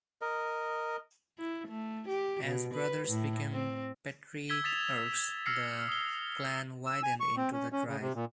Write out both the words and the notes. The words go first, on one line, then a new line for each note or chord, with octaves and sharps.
As brothers became patriarchs, the clan widened into the tribe.
A#4 D#5
E4
A3
G4
B2
B4
A2
C4
E6 G#6 B6 G7
D#6 A6 B6 E7 F7
E6 F6 A#6 C7 C#7
D#6 G7
E6
G#5
C#6
C4
C#4
C#4
C#3
C3
A#2